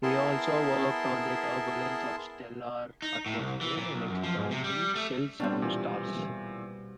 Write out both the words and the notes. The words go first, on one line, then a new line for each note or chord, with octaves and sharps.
He also worked on the turbulence of stellar atmosphere and expanding shells around stars.
B3 E4 G#4 A#4 A5 C6
D#4
A2
C2
E3
A#2
B1
F#2
F3
G#2
C3
G3
A3
B2 G3 C4 D4
A#2 E3